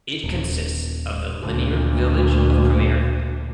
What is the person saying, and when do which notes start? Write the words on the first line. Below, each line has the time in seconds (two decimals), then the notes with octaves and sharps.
It consists of the linear village of Premier.
0.24 D#1
1.42 D2 A#2